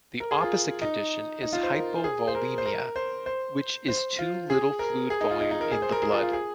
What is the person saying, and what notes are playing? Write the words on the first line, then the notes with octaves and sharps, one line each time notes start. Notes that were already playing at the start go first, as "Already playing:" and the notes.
The opposite condition is hypovolemia, which is too little fluid volume in the blood.
A#4
G#4
F4
D#4
D#4
F4
C5
A#4
G#4
C5
A#4
C5
A#4
C5
C5
C5
F4
G#4
A#4
G#4
D#4
F4
D#4
D#4
A#4
G#4
C5
A#4
G#4
F4
F4
G#4